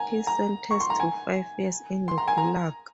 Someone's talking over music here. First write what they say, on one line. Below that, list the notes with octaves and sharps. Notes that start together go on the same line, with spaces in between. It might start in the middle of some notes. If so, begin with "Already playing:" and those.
He sentenced to five years in the Gulag.
Already playing: G#5 A#5
A#5
C#6
C6
A#5
G#5
C6
A#5
G#5
A#5